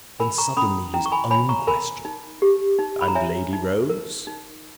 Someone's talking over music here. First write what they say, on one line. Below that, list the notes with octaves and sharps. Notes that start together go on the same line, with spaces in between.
Then, suddenly, his own question--"And Lady Rose?"
A#4 G#5 B5
A#5 C#6
C#4 B5 D#6
E4 G5 A#5
C#6
G#5 B5
C#5 G#5 B5
A#5 C#6
A#4 G#5 B5
D#4
G4
D#4
B5
A#5
C#5 E5 G#5
D#4
A#4
D#4